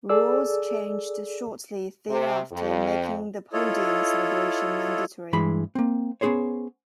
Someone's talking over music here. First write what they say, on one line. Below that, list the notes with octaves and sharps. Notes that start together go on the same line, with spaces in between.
Rules changed shortly thereafter making the podium celebration mandatory.
G#4 A4 D5 E6
C3
F2
E4 F4 A4 C#5 D#5
G2 E3 G#3 B5
A#3 C4
B3 C#4 D#4 G#4 C5 C#5